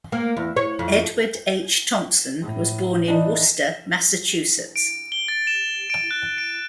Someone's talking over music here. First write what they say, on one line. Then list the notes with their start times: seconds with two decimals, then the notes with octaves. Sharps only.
Edward H. Thompson was born in Worcester, Massachusetts.
0.12 A#3
0.37 E2
0.57 C#5
0.79 F2
2.41 A2
3.08 E3 D4 D#4
4.76 D7
5.12 G7
5.28 A6
5.47 E7
5.90 D7
6.11 F#6
6.38 D7